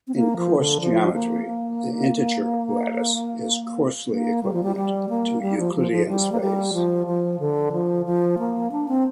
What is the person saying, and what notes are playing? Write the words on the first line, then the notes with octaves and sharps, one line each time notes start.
In coarse geometry, the integer lattice is coarsely equivalent to Euclidean space.
C4
A#3
F3
D3
F3
A#3
A#3
A#3
G3
F3
G3
G3
A#3
G3
F3
F3
F3
G3
A#3
G3
F3
F3
D3
F3
F3
A#3
D4
C4